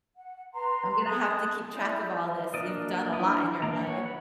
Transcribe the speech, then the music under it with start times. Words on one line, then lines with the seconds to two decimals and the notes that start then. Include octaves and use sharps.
I'm gonna have to keep track of all this, you've done a lot in your life.
0.16 F#5
0.54 B4 A#5 C6
1.06 G#4 A5 D#6 F#6
1.73 E4 D5 G6
2.54 A#3 D4 A#4 D5 D#5
3.13 D4 E4 A#5 D6 D#6
3.62 A#3 D4 A#5
3.81 C#5 F#5
4.06 F#5 B5